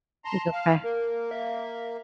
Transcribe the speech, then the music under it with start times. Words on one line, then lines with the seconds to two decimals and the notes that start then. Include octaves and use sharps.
He's okay.
0.25 A5 A#5 C6
0.52 F5
0.84 A#3 A#4
1.31 E5